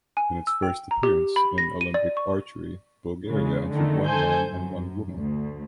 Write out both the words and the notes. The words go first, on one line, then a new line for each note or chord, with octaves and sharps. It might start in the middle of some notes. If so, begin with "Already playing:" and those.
In its first appearance in Olympic archery, Bulgaria entered one man and one woman.
G#5
E6
G5
A#5
G4
B5
A#6
D#7
D5
C#6
C#3 G#3
D3 D#3 A3
A4 C5 G#5 G6
F#2
D2